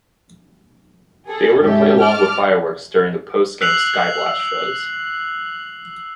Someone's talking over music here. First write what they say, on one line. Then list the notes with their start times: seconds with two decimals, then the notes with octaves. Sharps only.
They were to play along with fireworks during the post-game "Skyblast" shows.
1.26 G#4 A4 A5
1.60 G#2 C#4 G4 A4 E5
2.01 A5 D6 F6
3.61 E6 F#6 B6 C7 F7 F#7